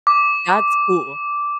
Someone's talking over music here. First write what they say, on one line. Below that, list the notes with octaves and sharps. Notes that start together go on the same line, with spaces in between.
That's cool.
D6